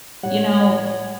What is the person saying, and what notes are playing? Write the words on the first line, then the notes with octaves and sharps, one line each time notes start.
you know,
A2 G3 C#5 F#5